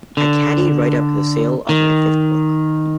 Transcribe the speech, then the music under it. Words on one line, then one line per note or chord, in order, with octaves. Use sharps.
I caddied right up to the sale of my fifth book.
D3
D#3